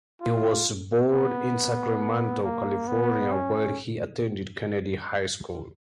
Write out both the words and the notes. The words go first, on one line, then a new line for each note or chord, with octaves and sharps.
He was born in Sacramento, California, where he attended Kennedy High School.
F4
B3
A#3
B3
C#4